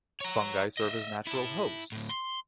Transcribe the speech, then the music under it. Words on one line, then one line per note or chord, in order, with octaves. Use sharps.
Fungi serve as natural hosts.
C#5 A#5
D#5 E5
E4 A5
D2 A2
C6